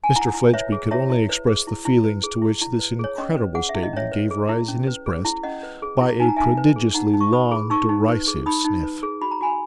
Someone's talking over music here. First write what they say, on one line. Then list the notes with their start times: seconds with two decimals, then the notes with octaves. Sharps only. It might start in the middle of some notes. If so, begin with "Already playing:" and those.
Mr Fledgeby could only express the feelings to which this incredible statement gave rise in his breast, by a prodigiously long derisive sniff.
0.04 G#5
0.16 E4 F#5 A#5
0.34 E4
0.54 B4 C#5 E5
0.72 G#4
0.91 E4 C#5 E5
1.10 E4
1.29 B4
1.47 G#4
1.67 E4
1.85 E4
2.04 B4
2.23 G#4
2.42 E4
2.62 E4
2.79 B4
2.99 G#4 C#5
3.18 C#4 D#5
3.37 B4
3.55 G#4 F#5
3.69 E5
3.75 E4
3.83 D#5
3.93 C#4 C#5 E5
4.12 B4
4.31 G#4
4.49 E4
4.68 C#4
4.87 B4
5.06 G#4
5.25 E4
5.43 C#4 D#5 F#5
5.63 B4
5.82 G#4
6.01 E4
6.20 D#4 G#5
6.29 A#5
6.36 D#4 E5 G#5
6.57 B4
6.76 G#4
6.94 D#4 F#5 A#5
7.13 D#4
7.21 C#6
7.32 B4 B5 D#6
7.51 G#4
7.70 D#4 C#6 E6
7.89 D#4
8.08 B4
8.28 G#4
8.46 D#4 B5 D#6
8.65 D#4
8.83 B4
9.03 G#4
9.22 F#4 B5
9.31 A#5
9.41 F#4 G#5 B5